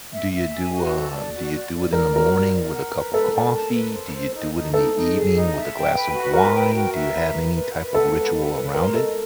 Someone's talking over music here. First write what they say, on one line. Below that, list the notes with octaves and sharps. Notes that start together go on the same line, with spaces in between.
Do you do, uh do you do it in the morning with a cup of coffee? Do you do it in the evening with a glass of wine? Do you have any type of ritual around it?
E5
E5
G#5
F#4
A4
D5
F#4
D5
A4
A#4 D5
F#4 A#4
D5
D5
F#5
B4
A4 B4
D5
A5
B4
C5
C5
D#4
D#4
D#4 A4
D#4
G#4
D#4
E5
G5
B4
F#4
A#4 B4
G5
F#4
E5
B4
B4
B4
B4
A4 F#5
B4
B4
B4
A#4 C6
A4 D#5